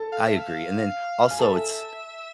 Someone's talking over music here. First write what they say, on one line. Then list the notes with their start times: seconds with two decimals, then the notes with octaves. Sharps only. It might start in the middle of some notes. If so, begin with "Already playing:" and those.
I agree, and then, also, it's
Already playing: A4 A5
0.12 F5
0.25 E5
0.37 F5
1.31 G#5
1.39 A4 E5 A5